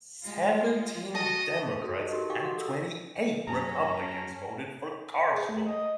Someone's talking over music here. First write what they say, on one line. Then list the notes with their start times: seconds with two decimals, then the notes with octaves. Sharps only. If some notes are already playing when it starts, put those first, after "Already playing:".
Seventeen Democrats and twenty-eight Republicans voted for Carswell.
0.23 G#3 F4
1.15 F#4 D#5 A5
1.83 F#4 A4
1.99 D#4 G4 D#5
2.12 D#4 F#4 G4 A#4
2.30 G4 F5 G5 G#5 C#6 D6
2.44 F#4 F5 F#5 G#5
2.58 A4 E6
3.47 F#2 C#4 G#4 A5 A#5
5.32 G#4
5.49 A3
5.66 D#5